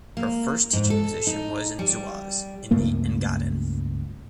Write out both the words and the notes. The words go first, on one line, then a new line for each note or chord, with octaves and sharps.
Her first teaching position was in Zuoz in the Engadin.
A#3
G#2
A4
D#4
G3
C#2 G2 A3 A#3